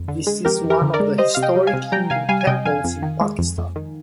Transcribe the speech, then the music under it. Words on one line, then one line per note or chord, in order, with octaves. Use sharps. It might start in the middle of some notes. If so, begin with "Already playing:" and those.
This is one of the historic Hindu temples in Pakistan.
Already playing: F2
D3
G#3
F2 G4 A#4
F2
G4 A#4
D3
A#4 D5
G#3
G3 C5 D#5
C3 F5
D#5 G5
G3
F5 G#5
C3
G3 G5 A#5
C3 F5 G#5
G3 F5 G#5
G#5
C3 D#5 G5
F2 F5 G#5
F2
D#3
G#3
F2
F2
D#3